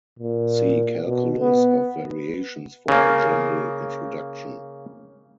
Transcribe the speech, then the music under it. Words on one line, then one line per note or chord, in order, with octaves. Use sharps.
See calculus of variations for a general introduction.
A#2
B2
B3
C#3 A#3